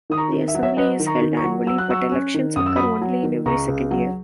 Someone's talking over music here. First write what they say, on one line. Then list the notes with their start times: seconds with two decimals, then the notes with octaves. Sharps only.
The assembly is held annually, but elections occur only in every second year.
0.10 D#3 D#6
0.17 A#5 C#6
0.32 D#3
0.48 E5
0.54 F#3 F#5
0.63 C#5 E5
0.77 F#3 B4 D#5
1.00 D#3
1.06 A#5 C#6
1.21 D#3
1.37 A#5 C#6
1.44 F#3
1.67 F#3 E6
1.78 F#6
1.89 F#3 C#6 E6
2.12 C#4
2.34 D#3
2.56 F#2 D#6
2.66 E6
2.76 F#3 B5 D#6
3.01 F#3
3.23 D#3
3.46 C#2 A#5 C#6
3.68 C#2
3.91 F#3